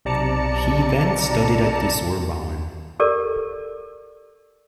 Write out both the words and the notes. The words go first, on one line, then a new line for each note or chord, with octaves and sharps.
He then studied at the Sorbonne.
B1 C3 D5 A5 A#5 C#7
G4 A4 A#4 D5